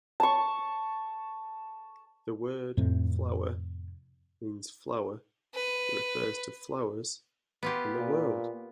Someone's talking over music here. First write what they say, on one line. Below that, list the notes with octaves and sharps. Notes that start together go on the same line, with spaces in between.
The word 'flower' means flower that refers to flowers in the world.
A5 C#6
F2 A2 C3
B4
B3 F4 G4
A#2